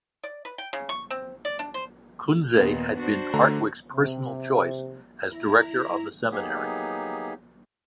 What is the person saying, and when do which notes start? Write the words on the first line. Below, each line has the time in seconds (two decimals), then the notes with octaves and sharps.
Kunze had been Hartwick's personal choice as director of the seminary.
0.24 D5
0.45 B4
0.58 G5
0.73 C#3
0.89 C#6
1.10 C4
1.45 D5
1.59 D4
1.74 C5
2.57 D#2 A#2 B3
2.97 D4 F#4 C5
3.34 D3 A3 A#5
3.92 C3
5.27 E4 A#5
6.32 F#3 A#3 B3 D#4 G4 G#4